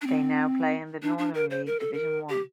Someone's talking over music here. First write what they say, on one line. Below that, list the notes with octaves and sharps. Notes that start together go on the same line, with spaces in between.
They now play in the Northern League Division One.
D4
C4
D4
D4
A#4
C5
A#4
A4
A#4
G4